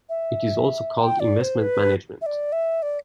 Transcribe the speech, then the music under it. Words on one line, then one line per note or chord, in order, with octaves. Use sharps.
It is also called investment management.
E5
G5
D5
C5
B4
E5
D5
E5
D5